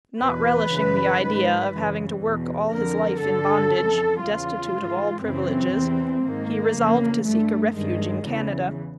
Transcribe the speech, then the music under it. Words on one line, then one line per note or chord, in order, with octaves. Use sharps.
Not relishing the idea of having to work all his life in bondage, destitute of all privileges, he resolved to seek a refuge in Canada.
E2 B2 B4
F#2 C#3 E3
G#2 D#3
F#2 C#3 E3
E2 B2
F2 D3 A#4
G2 D3 A4
F2 C#3 E3
E2 C#3 E3 F4
G#2 E3
F#2 C#3 E3 C4
E2 C3 E3
G#2 D#3 A#3
F2 C#3 E3
G2 D3 A3
G2 D#3 G#3
E2 C#3 E3